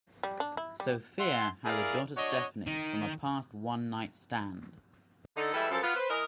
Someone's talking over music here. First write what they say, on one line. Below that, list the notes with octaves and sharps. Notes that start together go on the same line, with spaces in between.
Sophia has a daughter Stephanie, from a past one night stand.
G3
D4
E4
G3
E5 F#5 C6
E4 G#4 A#4 D5 F5
D4 F#4 C#5 D#5
D#3
D3 D#4 A4
E3 G3 G#3 A4 B4 E5
F#2 F3 A4
B3 F4
B4 C5
E3 A#4 D#5